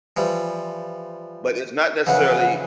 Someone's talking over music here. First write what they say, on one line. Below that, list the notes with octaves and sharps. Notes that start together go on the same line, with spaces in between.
but it's not necessarily,
E3 F3 G3
F2 C#3 E3 F#5